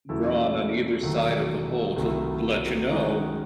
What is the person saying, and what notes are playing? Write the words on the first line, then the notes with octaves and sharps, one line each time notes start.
drawn on either side of the hole to to let you know
E2 C#3 F#3 A3 E4
E1 D#2 D#3 F#3 A3
C2 C3 D#3 F#3 A3
F#2 D#3 G#3 D#4 F#4